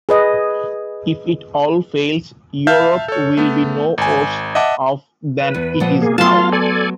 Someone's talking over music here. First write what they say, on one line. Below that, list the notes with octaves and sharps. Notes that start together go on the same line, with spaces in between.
If it all fails, Europe will be no worse off than it is now.
G#4 B4 D#5
E5 F5 A5 F6 G6
A4 C#5
A3 B3
G#1 G#5
D#5 E5 F#5 A5 D6
B4
E2
A#2 F3 F#5
A#3 G#4
F#3 A3 B3 F4 F5 A5 C6
A4 D5 G#5